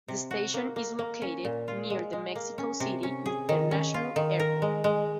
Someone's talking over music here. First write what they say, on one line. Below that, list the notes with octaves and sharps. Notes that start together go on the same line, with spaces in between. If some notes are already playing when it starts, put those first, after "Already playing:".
The station is located near the Mexico City International Airport.
C3
F#4
A#3
A#3
A#3
C#4
A#2
F4
G#3
G#3
A#3
C#4
C3
C#4
G#4
D#3
C#4
F4
D#3
A#4
G#3
G#3